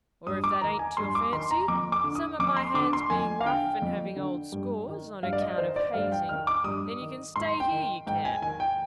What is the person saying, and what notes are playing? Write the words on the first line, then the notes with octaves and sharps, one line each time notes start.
Or if that ain't to your fancy, some of my hands being rough and having old scores on account of hazing, then you can stay here, you can.
G2 D#6
D6
D#3 A#5
G#5
G2 C6
D6
D#3 C6
A#5
F2 D6
D6
D3
D#6
F2 D6
C6
D3 D6
C6
F2 G#5
F5
D3 G5
F2
D3
G2
D#3
G2 F5
D5
D#5
D#3 C5
D5
G2 F5
G5
D#3 F6
D6
G2 D#6
D#3
G#2 C6
G5
D#3
G#2 G5
G#5
D#3 G#5
G5